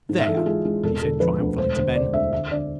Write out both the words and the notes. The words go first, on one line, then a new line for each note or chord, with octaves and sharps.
"There!" he said, triumphantly, to Ben.
G#2
E5
E3 A4
F4
G#3 G#4
G#3
E1 A4
D3 A4
F3 B4
D2
E1 C5
D3 C5
G#3 D5
D2 E5
D3 E5
D3 D5